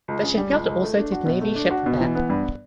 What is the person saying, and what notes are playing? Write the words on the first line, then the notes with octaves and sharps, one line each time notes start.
The shipyard also did Navy ship repair.
C#2
C#3
G3
C#2
C#2
A3
D4
F#4
B2
A3
D4
F#4
B2
E3
B3
G2